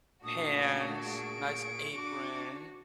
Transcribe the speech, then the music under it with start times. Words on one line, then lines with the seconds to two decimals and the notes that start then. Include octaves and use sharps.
pans, nice apron.
0.24 A#2 A3 D4 F#4 D#6
1.02 G#4 C#6 D7
1.95 D4 F#4 D6